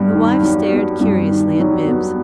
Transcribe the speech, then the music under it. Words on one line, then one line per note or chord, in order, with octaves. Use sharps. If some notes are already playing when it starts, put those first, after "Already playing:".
The wife stared curiously at Bibbs.
Already playing: G2 F#3 B3
D#3
F#3
B3
G2
D#3
F#3
B3